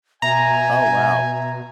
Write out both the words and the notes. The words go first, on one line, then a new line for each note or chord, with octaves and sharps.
Oh, wow.
B2 E5 G#5 A#5